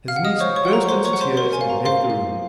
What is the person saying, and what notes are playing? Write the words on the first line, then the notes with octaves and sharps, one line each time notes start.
His niece burst into tears and left the room.
F5 F6
F#5
D#5 D#6
C5 C#5 C#6
C#5 C#6
F#5 C6
A#5
C#6
C5 C6
C#5 C#6
F#5
C5 C6
A#4 C5 C6
G#5
F5
A#5
C5 F5 C6
F5